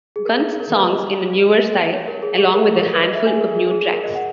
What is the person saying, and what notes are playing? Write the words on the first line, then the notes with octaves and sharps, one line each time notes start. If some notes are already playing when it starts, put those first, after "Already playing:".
Guns songs in a newer style, along with a handful of new tracks.
G#4
A#4
G#4
A#4
B4
D#5
C#5
A#4
G#4
G#4
A#4
G#4
G#4
A#4
B4
D#5
E5
G#5
G#4
A#4
G#4
G#4
G#4
A#4
D#5
F#5